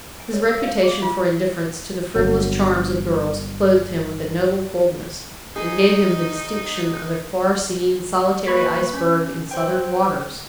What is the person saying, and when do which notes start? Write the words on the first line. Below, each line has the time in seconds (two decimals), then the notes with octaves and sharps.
His reputation for indifference to the frivolous charms of girls clothed him with a noble coldness, and gave him the distinction of a far-seen solitary iceberg in Southern waters.
0.20 G#5
0.34 C#5
0.48 A#4
0.63 F5
0.83 G#4
1.02 F4
2.16 G1 F#3
5.56 D#4 G#4
8.47 A#3 B4 B5 C#6 G#6 B6
8.93 C#4
9.51 C5 G5